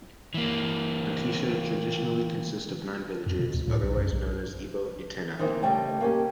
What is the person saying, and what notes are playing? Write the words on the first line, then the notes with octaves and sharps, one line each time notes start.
Onitsha traditionally consists of nine villages, otherwise known as Ebo Itenani.
E3 A#3
F2
B2
D2
A2
B1
F#2
A#1
E3 A#3 C4 D#4
C#3 G3 A3 D#5 G5 A5
A#3 C#4 G4